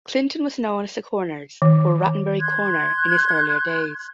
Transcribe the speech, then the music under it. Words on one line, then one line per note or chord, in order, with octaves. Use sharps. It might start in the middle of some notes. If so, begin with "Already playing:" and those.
Clinton was known as "The Corners" or "Rattenbury Corner" in its earlier days.
D#3
C6 F#6 G#6